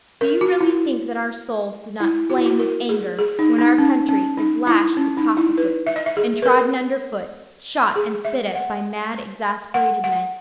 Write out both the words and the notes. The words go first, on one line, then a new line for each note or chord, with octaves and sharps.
Do you really think that our souls do not flame with anger when our country is lashed with Cossack-whips, and trodden under foot, shot and spit at by mad, exasperated men?
A#4
F#4
E4
E4
F#4
E4
F#4
A#4
G#4
G#4
D#4
D#4
C#4
C#4
D#4
E4
C#4
D#4
E4
B4
E5
D#5
E5
G#4
B4
A#4
G#4
E5
F#5
F#5
F#5